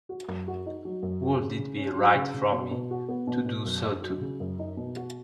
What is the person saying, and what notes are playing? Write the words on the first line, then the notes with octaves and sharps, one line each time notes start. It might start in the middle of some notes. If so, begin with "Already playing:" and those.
Would it be right for me to do so too?
F#4
F#2
F#4
D#4
F#3
F#2
F#4
C#3
C#3
C#4
F#3
C#3
C#3
B2
B2
F#4
B3
B2
B2
F#2
D#4
F#3
C#3
F#2
D#4
B2
F#4